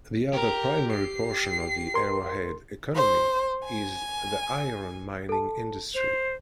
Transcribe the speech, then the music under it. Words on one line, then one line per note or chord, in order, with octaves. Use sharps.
The other primary portion of the Arrowhead economy is the iron mining industry.
G4 A#4
C7
A#4 C6
C5
G#5
A4 A5
C5 F7